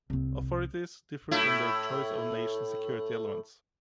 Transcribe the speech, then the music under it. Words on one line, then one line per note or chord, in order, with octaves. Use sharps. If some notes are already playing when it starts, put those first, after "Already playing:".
Authorities differ in their choice of nation security elements.
C2 C4
A2 E4